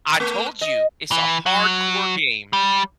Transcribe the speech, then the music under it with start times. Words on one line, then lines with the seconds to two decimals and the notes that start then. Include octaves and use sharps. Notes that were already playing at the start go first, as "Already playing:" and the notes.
I told you! It's a hardcore game.
0.20 A3
0.61 D#5
1.12 E3
1.46 F#3
2.53 G3